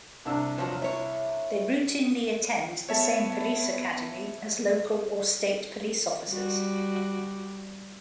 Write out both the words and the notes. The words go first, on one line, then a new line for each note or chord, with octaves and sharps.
They routinely attend the same police academy as local or state police officers.
C2 D4 E6
F3 F#3
E4 C#5
B3 C#5 E5 A5
G3 F#4